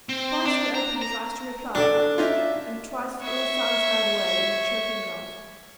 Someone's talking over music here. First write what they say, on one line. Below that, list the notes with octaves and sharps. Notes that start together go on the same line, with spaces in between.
Twice he opened his eyes to reply, and twice all sounds died away in a choking gasp.
C4
D4
A#5
A#5
D4 F#4 A4 D5
C#4 D#4 F4 E5
C#5 E5